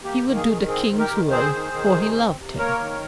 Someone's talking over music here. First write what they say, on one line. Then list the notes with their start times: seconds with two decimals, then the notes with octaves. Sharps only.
He would do the King's will, for he loved him.
0.04 A#3 G4
0.25 D#3
0.35 G#4
0.46 D#3
0.67 C4 G#4
0.88 D#3
0.98 G4 A#4
1.10 D#3
1.30 C4 G#4 C5
1.53 D#3
1.73 D#3
1.95 C3
2.16 C4
2.37 C3
2.57 A#3 A#4 C#5
2.80 D#3